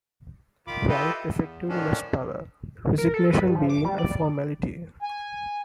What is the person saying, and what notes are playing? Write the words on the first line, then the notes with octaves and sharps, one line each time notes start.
Wright effectively lost power, the resignation being a formality.
D#3 F4 B5 D6
E4 F4 G4 A4 B4 D#5
E2
A2 D#3 F3 C#4 D4
A#4
A4
B4
G2
F3
D6
G3
D5
G#5